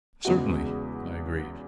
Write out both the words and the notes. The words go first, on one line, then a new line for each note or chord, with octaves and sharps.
"Certainly!" I agreed.
E2 C#3 G#3 B3 F#4